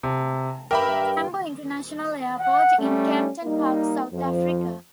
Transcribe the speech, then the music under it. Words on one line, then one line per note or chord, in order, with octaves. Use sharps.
Tambo International Airport in Kempton Park South Africa.
C3 A5
G2 G3 A#4 E5 G5 B5 D6
F#5
G3 A3 C#4
G3 A#3 D#4
F2 F3